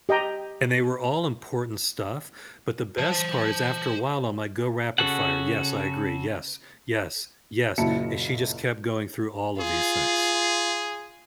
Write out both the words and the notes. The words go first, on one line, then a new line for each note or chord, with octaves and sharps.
And they were all important stuff, but the best part is after a while, I'm like, "Go rapid fire. Yes, I agree. Yes, yes, yes." And she just kept going through all of these things.
G4 D#5 G5 A#5
C5 A5
C#3 F#4 A4 F#5
F#1 A#2 F#3 E4 A5 C#7
F4 G#4